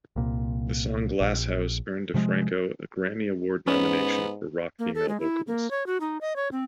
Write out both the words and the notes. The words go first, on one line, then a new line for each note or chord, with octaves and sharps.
The song "Glass House" earned DiFranco a Grammy Award nomination for Rock Female Vocalist.
C2 A#2
A#1
C3 F3 G3 G#3
G#2 B3 C#4
A#3
A4
G#3
E4
A#3
C#5
F#4
D#4
D#5
C#5
C4